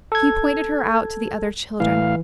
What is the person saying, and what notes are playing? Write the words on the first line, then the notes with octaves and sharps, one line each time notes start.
He pointed her out to the other children.
A4 G#6
A2 E3 F5